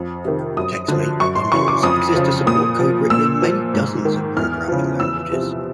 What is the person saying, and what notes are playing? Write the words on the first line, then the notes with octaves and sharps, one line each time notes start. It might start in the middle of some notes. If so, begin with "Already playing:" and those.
TextMate bundles exist to support code written in many dozens of programming languages.
Already playing: F2
C3 D#3
F#2 D#6
D3 F3
F#2 C#6
C6
C#3 E3 C#6
D6
F2 D#6
C#3 F3
A#2 D#6
F3
A#2 E6
F3
G#2
D#3
E2 F6
C#3 F3
E2 E6
C3 F3